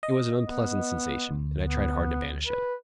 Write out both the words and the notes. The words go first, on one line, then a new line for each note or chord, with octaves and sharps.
It was an unpleasant sensation, and I tried hard to banish it.
D#5
B3
D2
B3
B4